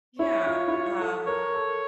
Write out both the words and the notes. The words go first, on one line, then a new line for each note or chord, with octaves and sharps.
Yeah, um
E4 C#5
F4
E4
F4
A4
A#4 C#5
A4